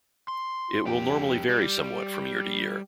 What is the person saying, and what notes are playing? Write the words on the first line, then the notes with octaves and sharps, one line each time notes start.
It will normally vary somewhat from year to year.
C6
F2 G4
G3